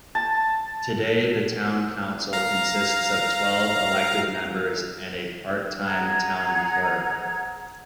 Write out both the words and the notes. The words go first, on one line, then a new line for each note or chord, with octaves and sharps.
Today the town council consists of twelve elected members and a part-time town clerk.
A5
F5 A#5
G#4 F#5 A#5 G#6